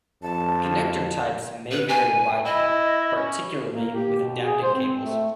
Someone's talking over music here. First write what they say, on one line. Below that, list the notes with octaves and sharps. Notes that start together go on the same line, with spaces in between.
Connector types may vary widely, particularly with adapting cables.
F2 A5
B4
G#5
E4 D#5
C#4
A#3
G4
B2
G#4
C5
C4
A3